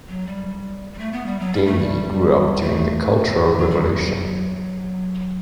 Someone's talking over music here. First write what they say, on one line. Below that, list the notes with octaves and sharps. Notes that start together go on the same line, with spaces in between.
Ding Yi grew up during the Cultural Revolution.
F#3
G3
G3
A3
B3
G3
F#3
G3
A3
G3
A3
F#3
G3
F#3
F#3